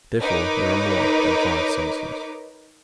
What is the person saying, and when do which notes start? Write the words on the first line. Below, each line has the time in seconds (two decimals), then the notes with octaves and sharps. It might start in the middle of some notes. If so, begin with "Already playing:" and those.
Therefore there are more than five senses.
0.20 D#4 A#4 B4 C#5 D6